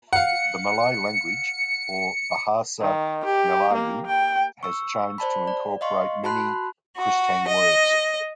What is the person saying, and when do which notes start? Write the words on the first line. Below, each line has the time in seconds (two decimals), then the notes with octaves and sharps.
The Malay language, or "Bahasa Melayu", has changed to incorporate many Kristang words.
0.13 F5 F#5 C#7
2.81 D#3
3.25 G4
3.73 A#3
4.06 G5
4.63 C#6 E6
5.18 C5 D5 A5 B5
5.47 D5
5.81 D#5 F5 C6 C#6
6.24 F#4 A5 B5 C6 F#6
6.98 F#4
7.47 D#5